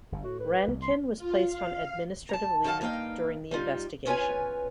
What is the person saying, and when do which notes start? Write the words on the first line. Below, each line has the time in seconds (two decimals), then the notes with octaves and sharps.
Rankin was placed on administrative leave during the investigation.
0.12 G1 G2
0.24 A2 F#4
0.40 B4
0.68 C2
0.82 C6
1.16 F4
1.46 F5
2.29 A5 A#5
2.64 D#3 F#3 A4 F5 A5
2.81 G2 A#3 D#4 F5 G5
3.51 G3 D#4 F4
4.06 E2 C#4 F4 B4 C#5 G#5